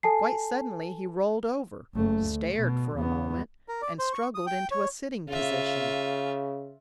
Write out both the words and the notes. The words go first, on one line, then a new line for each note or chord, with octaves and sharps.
Quite suddenly he rolled over, stared for a moment, and struggled into a sitting position.
A4 G#5 A5 C7
F#1 A3
D2
B2
E2 B3
A#4
D5
C5
C#6
D#6
G5
C#5
C#3 F4 E5